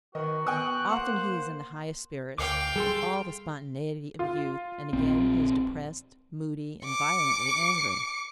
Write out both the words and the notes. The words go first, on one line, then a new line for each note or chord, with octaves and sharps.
Often he is in the highest spirits, with all the spontaneity of youth, and again he is depressed, moody, and violently angry.
D#3 F#4 B4 D#5
B3 G5 G#5 D#6 F#6
A#3 C5 F#5 D6
D2 F5 G5 D6
G3 G#4 A4 C6
F4
A#1 C4
D6 C#7